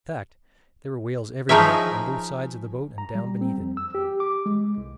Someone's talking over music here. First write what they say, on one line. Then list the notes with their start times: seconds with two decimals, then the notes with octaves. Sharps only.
In fact, there were whales everywhere, on both sides of the boat, and down beneath it.
1.49 F3 D#4 G#4 A#4 C#5 E5
2.98 A#5
3.15 G3
3.41 C4
3.58 F2
3.77 E6
3.95 G4
4.20 D6
4.46 G#3
4.78 C2